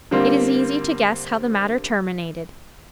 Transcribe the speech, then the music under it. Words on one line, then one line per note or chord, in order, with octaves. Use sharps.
It is easy to guess how the matter terminated.
D3 G3 A#3 C4 F4